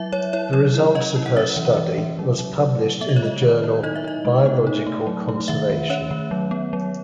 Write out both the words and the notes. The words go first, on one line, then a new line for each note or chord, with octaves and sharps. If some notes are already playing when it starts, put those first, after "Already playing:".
The results of her study was published in the journal "Biological Conservation".
Already playing: F#3 E4 E5
F#3 C#5
E4 C#5
F#3 C#5
E4
C#4 D#5
E4
F#5
C#4 E5
E3
E3
E3
F#3
F#3
F#3
F#3
B3 E5
D#5
C#5
G#3 D#5
D#3
E4
D#4 D#5
E5
D#4 D#5
G#3
B3
D#4
A3
F#3
A3
D#3 E5
D#3
C#4 C#5
D#3
F#3
B3
F#3